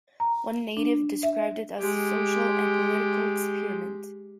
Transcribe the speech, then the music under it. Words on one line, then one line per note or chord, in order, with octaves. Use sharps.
One native described it as a social and political experiment.
A#5
D4
E5
G#3 G4